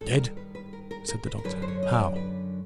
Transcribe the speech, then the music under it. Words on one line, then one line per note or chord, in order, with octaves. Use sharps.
"Dead!" said the doctor, "how?"
G2 D#3 G3 A4
B4
A#4
B4
B4
A#4
A#4
A#4
B4
A#4
F#2 D3 F#3 B4
C5
C#5
D#5
D5
B4